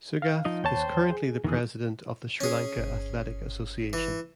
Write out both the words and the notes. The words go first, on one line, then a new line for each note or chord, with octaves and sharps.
Sugath is currently the President of the Sri Lanka Athletic Association.
F5
F3 D#4 D#5
D#2 C5 C#5 G5 A5
G#4
E2 D#3 E3 G#4
C#4 G#4
G1
E3